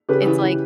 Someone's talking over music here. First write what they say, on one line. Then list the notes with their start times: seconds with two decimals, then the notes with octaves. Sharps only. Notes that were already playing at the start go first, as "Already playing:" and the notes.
it's like
0.09 C#3 G4 B4
0.26 E3
0.42 E3